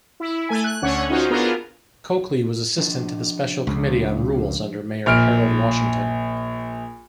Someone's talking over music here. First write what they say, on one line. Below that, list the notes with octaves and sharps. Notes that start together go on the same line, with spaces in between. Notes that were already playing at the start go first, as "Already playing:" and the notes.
Cokely was assistant to the special committee on rules under Mayor Harold Washington.
E4
A3 G#5
F#6
D2 D3 C#4 C#5 F#5
C#4 D#4 F4 F#4 C5
B3 D4 F4 G#4 A#4
F3 D4 D#5
C#2
A#1 F6 D7